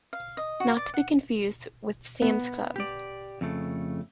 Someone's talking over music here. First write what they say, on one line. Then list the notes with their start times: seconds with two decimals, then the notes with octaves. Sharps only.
Not to be confused with Sam's Club.
0.13 F5
0.37 D#5
0.60 F#4
0.77 D5
0.94 F#5
2.22 B3
2.76 G4 D5
3.41 F2 C#3 A3